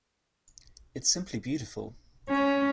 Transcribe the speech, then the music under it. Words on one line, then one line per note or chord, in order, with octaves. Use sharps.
It’s simply beautiful.
C#4